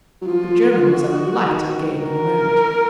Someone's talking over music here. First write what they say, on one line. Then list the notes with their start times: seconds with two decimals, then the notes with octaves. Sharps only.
The German was alight again in a moment.
0.21 F#3
0.27 F3 F4
0.86 F#4
1.45 D#3
2.04 A#4